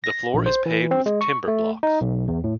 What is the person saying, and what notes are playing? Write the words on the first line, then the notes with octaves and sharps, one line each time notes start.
The floor is paved with timber blocks.
A#6
A#1
C5
E3
C4
G#3
C#6
A3
D#4
B1
E2
A2